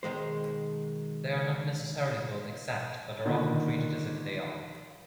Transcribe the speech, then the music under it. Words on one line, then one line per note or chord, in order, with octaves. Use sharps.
They are not necessarily both exact, but are often treated as if they are.
B2 D#3 G#3 C5
A#2 D3 D#3